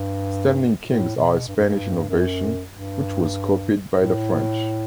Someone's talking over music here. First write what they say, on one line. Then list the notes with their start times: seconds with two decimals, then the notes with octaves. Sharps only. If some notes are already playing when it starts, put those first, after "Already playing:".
Standing kings are a Spanish innovation which was copied by the French.
Already playing: G2
0.85 A2
1.16 B2
1.47 G2
1.56 F#2
1.64 G2
2.09 F#2
2.72 G2
3.95 A2